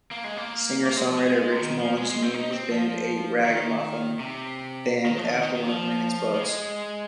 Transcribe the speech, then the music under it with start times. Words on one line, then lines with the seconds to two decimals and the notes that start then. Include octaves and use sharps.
Singer-songwriter Rich Mullins named his band, A Ragamuffin Band, after one of Manning's books.
0.11 A#3
0.24 G#3
0.37 A#3
0.87 A#3
0.97 G#3
1.07 F3
1.17 G#3
1.51 C3
1.60 D#3
1.78 F3
1.97 G#3
2.10 G#3
2.22 C4
2.34 D#4
2.52 C4
2.71 F3
3.44 D#3
4.20 C3
5.06 D#3
5.18 F3
5.30 D#3
5.43 D#3
5.55 D#3
5.67 F3
6.35 F3
6.41 G#3